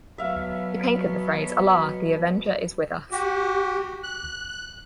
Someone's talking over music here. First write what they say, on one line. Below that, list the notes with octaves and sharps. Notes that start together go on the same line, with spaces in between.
They painted the phrase Allah the Avenger is with us!
B2 F#3 B3 E5 F5
F#4 G4
F#6